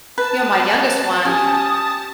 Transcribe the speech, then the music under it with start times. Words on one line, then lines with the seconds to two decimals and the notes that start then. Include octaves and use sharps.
you know, my youngest one
0.18 B4 A5
1.25 C#4 G4 G#5 D#6